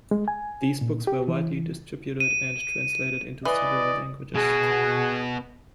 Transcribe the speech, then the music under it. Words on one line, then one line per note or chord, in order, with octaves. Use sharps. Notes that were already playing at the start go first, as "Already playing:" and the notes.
These books were widely distributed and translated into several languages.
G#3
G#5
A#2
G4
E3
D#7
E3 B4 D5 D#5
B2 F#4 G#4